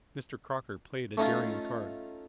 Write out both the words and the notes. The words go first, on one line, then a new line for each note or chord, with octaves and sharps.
Mr. Crocker played a daring card.
A3 C#4 D#4 F4